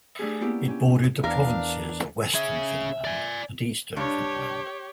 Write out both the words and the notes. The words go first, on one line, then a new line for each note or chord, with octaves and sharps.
It bordered the provinces of Western Finland and Eastern Finland.
A3 D4 G4 G#4
A#3 B3 C#4 E4 G4
C#4 G4
E2 D4 A#4 F5
C#4 G#4 E5
D5 G#5
G2 D4 G4 C#5